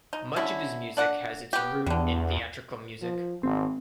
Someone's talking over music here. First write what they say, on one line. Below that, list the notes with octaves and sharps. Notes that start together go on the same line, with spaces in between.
Much of his music has its root in theatrical music.
D#4
D3 C#4 E4
D4 D5 F#5
B3 G4
E2 D3 G3
F3
G#1 C4